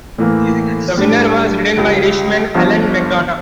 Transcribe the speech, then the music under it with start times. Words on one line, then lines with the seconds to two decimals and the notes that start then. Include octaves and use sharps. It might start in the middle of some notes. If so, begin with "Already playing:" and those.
The winner was ridden by Irishman, Alan McDonough.
0.18 A2 E3 A#3
0.97 A2 G3 D4 G4
1.77 C#2 C#3 G3
2.54 G1 G2 F3